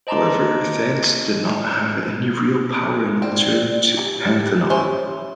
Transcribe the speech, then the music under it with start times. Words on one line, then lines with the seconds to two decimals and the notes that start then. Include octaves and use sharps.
However, Thant did not have any real power and returned to Pantanaw.
0.07 C5 D#5 A5 A#5 C6 D6
3.22 C4 D5
3.96 G4
4.70 C#4 E4 C5